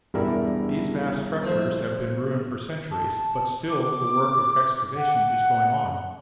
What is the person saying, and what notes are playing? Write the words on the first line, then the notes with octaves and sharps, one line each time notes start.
These vast structures have been ruined for centuries, but still the work of excavation is going on.
E1 G2 G3 E4 A#4
F3 A3 C5
A5
D6
F#5